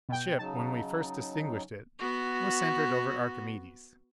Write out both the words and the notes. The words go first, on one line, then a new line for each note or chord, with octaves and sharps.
The ship, when we first distinguished it, was centered over Archimedes.
B2 G5
C#3 F#3 D#4 A5
B3 F#4